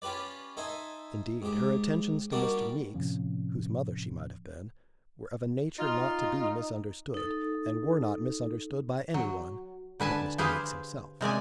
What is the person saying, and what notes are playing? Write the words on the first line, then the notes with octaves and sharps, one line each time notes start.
Indeed, her attentions to Mr. Meeks, whose mother she might have been, were of a nature not to be misunderstood, and were not misunderstood by anyone but Mr. Meeks himself.
C#4 F4 G4 B4 D5
D#4 A4 C5 E5 G#5
G#2 G4
G3 A#3 D4 D#4 F#4 G4
A2 C3 F3 C#4
D#4 F4
D#4 A4
F#3
D3 B4 G#5 A5
G4 G#4 B4 C5 F5
C3 G#3 D5 G#5